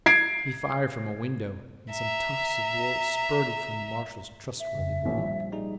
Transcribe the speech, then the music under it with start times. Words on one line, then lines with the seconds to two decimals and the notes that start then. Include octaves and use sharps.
He fired from a window, and some tufts of wool spurted from the marshal's trustworthy bulwark.
0.06 G#6 C7 D7
1.90 E5 A#5
4.60 E5
4.75 F2 C#3
5.06 A1 A#2 D#3
5.19 A#1 G3
5.52 G3 D#4 G#4